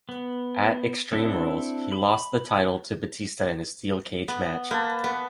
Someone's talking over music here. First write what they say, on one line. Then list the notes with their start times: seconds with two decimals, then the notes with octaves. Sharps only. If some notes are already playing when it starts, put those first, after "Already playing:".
At Extreme Rules, he lost the title to Batista in a Steel Cage match.
0.09 B3
1.13 C4 D4 E4 A4
1.92 B5
4.28 B3
4.71 A#3 B4 A5
5.04 B3